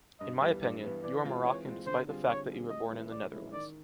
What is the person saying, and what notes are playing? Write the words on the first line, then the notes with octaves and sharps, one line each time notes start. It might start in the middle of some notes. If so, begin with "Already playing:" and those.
In my opinion, you are Moroccan despite the fact that you were born in the Netherlands.
G2 D#5
E3 G3 B3
G2 D5
E3 G3 B3
E3 D5
G#3 C4 F4
E3 C#5
G#3 C4 F4
D3 C5
G3 C4 F4 G#4
D3 C#5
G3 C4 F4 G#4
A2 D#5
E3 G#3 C#4 E4
A2 D5
E3 G#3 C#4 E4
D#3 D5